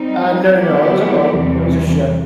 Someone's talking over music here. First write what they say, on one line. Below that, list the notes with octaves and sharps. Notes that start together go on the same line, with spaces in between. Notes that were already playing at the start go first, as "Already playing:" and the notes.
Uh, no, no, no, it was a boat, it was a ship.
Already playing: G3 C4 D#4
F#3 B3 E4 G4
E2 C3 E3 G3